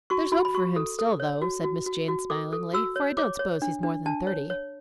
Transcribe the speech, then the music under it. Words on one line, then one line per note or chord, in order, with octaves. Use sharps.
"There's hope for him still, though," said Miss Jane smilingly; "for I don't s'pose he's more than thirty."
F#4 C#6
F#4 B5
B5
F#4 C#6
A4
A4
C#5
F#4
F#4
F#4
F#4
A4 D6
A4
F#4 E6
C#5
C#5 D6
C#5
D4
D4
D4 A5
C#5
C#5